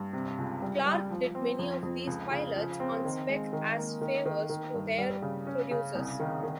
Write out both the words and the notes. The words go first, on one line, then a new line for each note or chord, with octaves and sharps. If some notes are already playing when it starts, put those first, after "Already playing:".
Clark did many of these pilots "on spec" as favors to their producers.
Already playing: G2
C3
C#2
G3
G3
F3
C4
F2
F2
C#2
C#3
F3
C4
D#3
G#3
D#3
A#3
D#3
D#3
D#3
G2
G3
C#3
C#4
C#3
C2
D#3
D#3